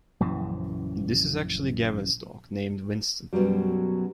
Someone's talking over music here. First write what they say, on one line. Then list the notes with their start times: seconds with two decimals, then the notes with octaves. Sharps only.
This is actually Gavin's dog named Winston.
0.20 A#1 F#2 C#3 E3
3.33 F#2 B2 E3 F#3 G3